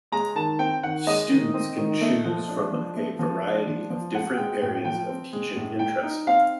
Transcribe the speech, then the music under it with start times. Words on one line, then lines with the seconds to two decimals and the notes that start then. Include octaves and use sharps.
Students can choose from a variety of different areas of teaching interest.
0.12 G#3 A#5
0.36 D#3 A5
0.59 C4 G5
0.83 D#3 F#5
1.07 G#3 D#5
1.30 D#3
1.54 C4
1.77 D#3
2.01 A3
2.25 F3
2.48 D4
2.72 F3
2.96 A3
3.19 F3
3.43 D4
3.67 F3
3.90 F3
4.13 C4 F#5
4.37 G#3 G5
4.61 A2 G5
4.85 F3 G5
5.08 C4
5.33 G#3
5.56 A2
5.79 G3 G5
6.03 D#4
6.27 C4 F5